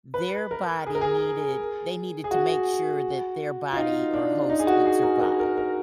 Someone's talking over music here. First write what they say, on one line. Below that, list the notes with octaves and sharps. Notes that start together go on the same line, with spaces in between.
their body needed they needed to make sure that their body or host would survive
B4
A#4
G#4
A#4
G#4
G#4
F#4
F4
D#4
D4
D#4
G#4
F#4
G#4
A#4
A#4
A#4
A#4